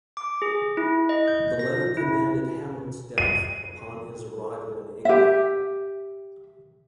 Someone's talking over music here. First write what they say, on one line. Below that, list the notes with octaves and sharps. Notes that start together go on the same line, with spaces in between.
The letter commanded Hamlet's death upon his arrival in England.
D6
G#4
E4
D#5
G6
A#6
E4
D#7
G4 E5